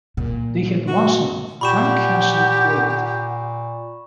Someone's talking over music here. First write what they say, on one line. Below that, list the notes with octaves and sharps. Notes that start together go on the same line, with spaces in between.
They had one son, Frank Hanson Waite.
A#2
F#4
A#2 G4 F#5 B5 C#6 E7